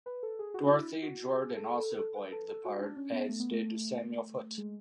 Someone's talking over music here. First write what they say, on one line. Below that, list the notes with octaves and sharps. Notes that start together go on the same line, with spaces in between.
Dorothea Jordan also played the part as did Samuel Foote.
B4
A4
G#4
F#4
D4
E4
F#4
G#4
A4
A4
A4
B4
A4
A4
F#4
D4
C#4
B3
A3
B3
A3
G#3